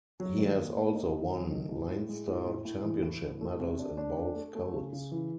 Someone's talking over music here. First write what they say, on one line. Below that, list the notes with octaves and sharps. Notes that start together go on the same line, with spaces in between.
He has also won Leinster Championship medals in both codes.
F#3
D#3
A#3
A#3
D#4
D#3
F#3
D#3
A2
A2
G#3
A2
A2
A2
E3
A2
E3
A3
C3
D4
D4
D4
A3
A3
C#3
C#3
E3